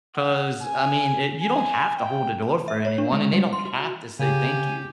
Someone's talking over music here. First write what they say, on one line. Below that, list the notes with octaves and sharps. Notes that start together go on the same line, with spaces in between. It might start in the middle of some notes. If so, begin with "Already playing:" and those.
'Cause, I mean, it you don't have to hold a door for anyone, and they don't have to say, "Thank you,"
F#5
G#5
G#5
G5
E5
C#5
D4
G#3
G3
C6
F#4
C#3 G4 G#5